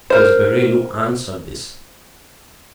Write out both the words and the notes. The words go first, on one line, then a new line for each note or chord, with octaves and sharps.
It was Beryl who answered this.
A#4 C5